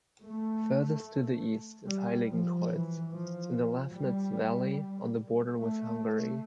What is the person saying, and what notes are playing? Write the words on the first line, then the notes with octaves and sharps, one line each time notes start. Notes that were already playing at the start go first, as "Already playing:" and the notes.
Furthest to the east is Heiligenkreuz in the Lafnitz valley, on the border with Hungary.
A3
G3
F3
E3
F3
G3
A3